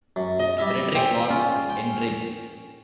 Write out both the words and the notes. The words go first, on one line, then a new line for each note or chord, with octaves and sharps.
Frederick was enraged.
F#2
D#5
G3 E4 E5
C5 E5 G5 G#5
C#4 F4
G5